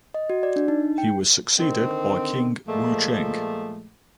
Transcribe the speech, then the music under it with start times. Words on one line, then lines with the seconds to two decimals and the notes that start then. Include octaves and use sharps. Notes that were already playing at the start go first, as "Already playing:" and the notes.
He was succeeded by King Wucheng.
0.14 D#5
0.30 F#4
0.43 D5
0.56 D4
0.68 D#4
0.98 G5
1.58 D3 D#3 C4
2.67 A#2 F3 G#3 A3